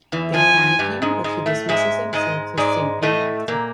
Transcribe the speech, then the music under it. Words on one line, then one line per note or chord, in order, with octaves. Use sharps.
They thank him, but he dismisses himself as simply an actor.
E2 E3
F2 F3 G#5
G2 G3
G#2 G#3
G#2 G#3
A2 A3
G#2 G#3 E5
G#2 G#3 D#5
G#2 G#3 D5
A2 A3 D#5
A#2 A#3